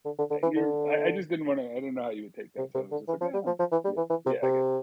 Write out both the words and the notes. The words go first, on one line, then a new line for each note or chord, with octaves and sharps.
you're I I just didn't wanna I didn't know how you would take that, so I was just like, yeah, yeah, yeah, I get
D3
D3
D3
E3
D3
C3
C3
D3
E3
F3
G3
F3
F3
E3
G3
E3
E3
C3
C3